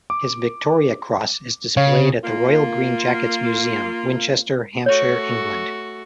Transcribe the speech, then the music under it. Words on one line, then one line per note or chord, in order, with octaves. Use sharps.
His Victoria Cross is displayed at the Royal Green Jackets Museum, Winchester, Hampshire, England.
D6
C#3 C#5 F5
A#3 F4
A3 F#4 C#5